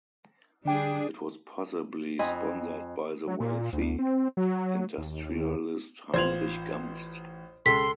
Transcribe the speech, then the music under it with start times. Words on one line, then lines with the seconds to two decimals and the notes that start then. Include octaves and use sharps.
It was possibly sponsored by the wealthy industrialist Heinrich Gamst.
0.65 D3 G3 D4 G#4 G5
2.19 F2 D#5 G#5 B5
3.27 F#3
3.40 A#2
3.73 D2
3.99 C4
4.37 F#3
4.98 D#2
6.14 A1 F4 C5 G#6 F7 F#7
7.66 C#2 G#3 A4 C6 B6